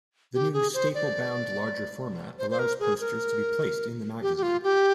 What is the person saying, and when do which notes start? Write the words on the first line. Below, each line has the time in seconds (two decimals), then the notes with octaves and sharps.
The new staple bound larger format allows posters to be placed in the magazine.
0.34 G4
0.53 G#4
0.74 C5
0.95 D5
2.38 C5
2.50 C5
2.59 A#4
2.80 G#4
3.00 A#4
4.22 G4
4.37 G4
4.43 F4
4.63 G4